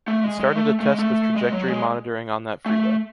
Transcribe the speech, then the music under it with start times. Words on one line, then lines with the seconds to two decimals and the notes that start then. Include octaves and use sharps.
We started a test with trajectory monitoring on that freeway.
0.08 A3
0.24 G#3
0.40 G#3
0.56 A3
0.80 A3
0.90 G#3
0.99 A3
1.36 G#3
1.53 F#3
1.68 G#3
2.66 A3